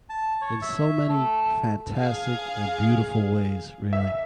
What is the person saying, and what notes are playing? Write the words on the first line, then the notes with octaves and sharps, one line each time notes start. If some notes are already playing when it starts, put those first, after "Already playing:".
In so many fantastic and beautiful ways, really.
A5
C#5
E5
A3
G#4 F5
E5